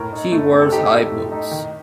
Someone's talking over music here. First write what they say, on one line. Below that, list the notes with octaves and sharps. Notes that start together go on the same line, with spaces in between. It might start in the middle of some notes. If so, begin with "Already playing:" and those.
She wears high boots.
Already playing: A2 A#4
D#4
A3
C4
A4
D#4 G4
A2
A2
D#4
D#3